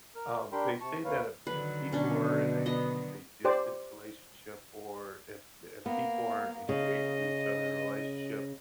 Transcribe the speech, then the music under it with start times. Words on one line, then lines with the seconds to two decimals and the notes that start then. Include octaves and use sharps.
Um, they say that if if people are in a a distant relationship, or if the if people aren't engaged with each other in a relationship
0.16 A#4 F6
0.52 D4 G4 A#4 G5 B5 C6
0.81 C3 A5 C#6
1.05 D2 C3 A#3 B4 C#5 F5
1.47 D3 D#3 F#3 B4
1.92 B2 C#4 D4
2.66 B3 D#5
3.45 G4 C5 D5 G5 D6
5.86 A#3 B3
6.69 C#3 D#5